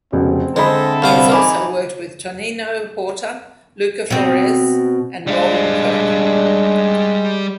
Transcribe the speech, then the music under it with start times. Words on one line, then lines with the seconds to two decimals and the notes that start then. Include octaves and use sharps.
He has also worked with Toninho Horta, Luca Flores and Roland Kirk.
0.12 F1 C#2 B2 C4
0.56 D3 G#3 E4 A4 C5 D#5 B5
1.02 C2 B3 F5 D6
1.32 E3 D#4 G#5 B5 D6
4.10 B2 C4
5.27 G3 G#3 D4 F5